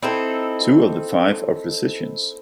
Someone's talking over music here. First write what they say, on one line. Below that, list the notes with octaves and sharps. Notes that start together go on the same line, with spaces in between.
Two of the five are physicians.
C4 D#4 E4 A4